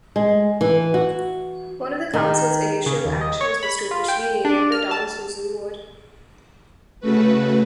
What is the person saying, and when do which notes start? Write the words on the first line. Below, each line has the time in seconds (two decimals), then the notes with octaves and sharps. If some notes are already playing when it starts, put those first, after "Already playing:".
One of the council's initial actions was to officially rename the town Susan Moore.
0.16 G#3
0.61 E3
0.94 F#4
2.14 D#3
2.86 C#3
3.05 D#2
3.21 D#5
3.41 C#5
3.63 B5
3.91 F4
4.08 G5
4.45 D4
4.72 F6
4.91 A5
7.00 C#3 A3 F#4 B4